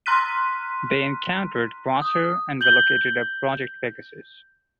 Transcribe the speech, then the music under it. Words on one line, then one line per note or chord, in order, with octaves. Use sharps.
They encountered Quasar, and relocated to Project Pegasus.
A#5 C6 F6 F#6 B6 D#7
D#6
G6 F#7 G7